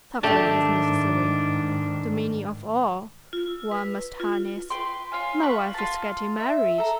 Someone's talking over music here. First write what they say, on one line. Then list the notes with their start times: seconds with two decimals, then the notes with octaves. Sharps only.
Suffering is necessary... the meaning of all... one must harness... my wife is getting married...
0.23 G#2 D#3 A3 D4 G4 A5
3.33 F4
3.48 E6
3.72 B4
4.20 F4
4.70 B4 G5 C6
5.12 F4 C#5 F5 G#5
5.42 F4 B4 F#5 C#6
5.74 F4 A5
6.40 E5
6.78 A4 A#5